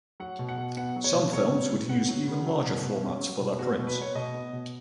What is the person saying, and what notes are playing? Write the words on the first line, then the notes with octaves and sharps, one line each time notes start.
Some films would use even larger formats for their prints.
F#3 F#5
B2
F#5
B2
B3 F#5
F#3
C#5
B2
F#3 C#5
C#3
C#3
B3 F#5
F#3
C#3
F#3
B2
B2
C#4
F#3
B2
B3 F#4
F#4
B2
B4
B3 C#5
B2 D#5
B3
B2